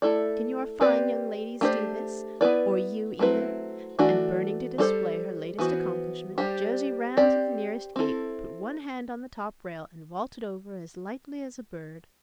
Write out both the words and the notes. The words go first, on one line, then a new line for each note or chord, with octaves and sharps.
Can your fine young ladies do this? or you either?' and burning to display her latest accomplishment, Josie ran to the nearest gate, put one hand on the top rail, and vaulted over as lightly as a bird.
A3 E4 A4 D5
C4 G4 B4 D5
A3 D4 G4 C5
B3 E4 B4 D5
F#3 A3 C4 E4 B4
E3 A3 D4 F#4
G3 D4 A4 C5
E3 B3 F#4 C5
G3 D4 G4 C5
C4 G4 D5
C4 E4 A4